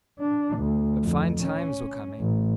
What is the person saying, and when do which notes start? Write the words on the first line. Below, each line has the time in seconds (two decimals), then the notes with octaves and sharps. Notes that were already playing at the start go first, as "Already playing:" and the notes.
But fine times were coming.
0.20 D4
0.57 D2
1.02 F2
1.41 C#4
2.20 A1